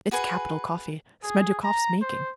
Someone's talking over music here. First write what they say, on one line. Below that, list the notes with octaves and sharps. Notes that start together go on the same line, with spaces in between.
It's capital coffee: Smerdyakov's making.
F#4 G#4 B4 G#5
G#4
A#5
C5